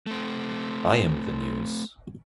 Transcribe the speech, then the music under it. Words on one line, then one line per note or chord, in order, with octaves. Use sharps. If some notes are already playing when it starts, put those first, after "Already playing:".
I am the news.
A3 C4